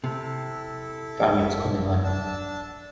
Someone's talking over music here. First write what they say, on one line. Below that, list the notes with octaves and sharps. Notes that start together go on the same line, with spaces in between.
The family was coming on.
C3 E4 A4
D4 A5 E6